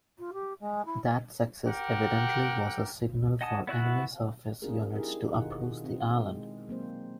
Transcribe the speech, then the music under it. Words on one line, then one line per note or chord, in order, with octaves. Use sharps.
That success evidently was a signal for enemy surface units to approach the island.
F4
G4
G#3
E4
G4 A#4 F#5 G5
D#5 F#5 G#5 A5 D#6
B3 E4 F#4 F#6
C4 D4 F4 F#4 G#4 A#4
D#4 E4 G4 G#4 A#4
B2 D#3 D#4 F4 F#5
C4
G#3
F#3 A#3 C4 C5